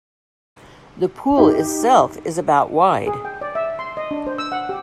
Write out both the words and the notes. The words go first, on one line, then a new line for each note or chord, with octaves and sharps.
The pool itself is about wide.
D#4 G4
G#4
G5
D5
E5
C6
D#5
D4
C5
E6
F#5
G4